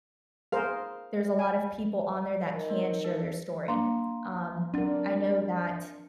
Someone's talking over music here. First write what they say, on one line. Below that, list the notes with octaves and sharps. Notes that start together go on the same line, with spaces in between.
there's a lot of people on there that can share their story. Um, I know that
G#4 A#4 C5 F5
G#5
D#3
C4
A4
A#3 D4 F5 A#5 C6
F#3 C4 D4 A#4 D5